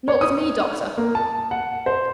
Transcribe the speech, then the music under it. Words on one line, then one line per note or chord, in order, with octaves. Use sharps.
'Not with me, Doctor.
C#5
D#6
A#3
A5
F#5
C5